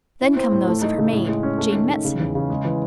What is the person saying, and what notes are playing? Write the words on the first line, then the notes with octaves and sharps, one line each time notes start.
Then come those of her maid, Jane Metson.
E4
C4
A2
A3
D#4
C#3
A2
G#3
C#4
A3
D#3
D#3
C#3
E2
C#3
G#3
E3